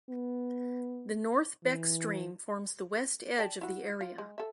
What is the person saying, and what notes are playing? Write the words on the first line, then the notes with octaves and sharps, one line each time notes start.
The North Beck stream forms the west edge of the area.
B3
E3
D5 G5 A5
E4 F#4
F4
G#3
A4 E5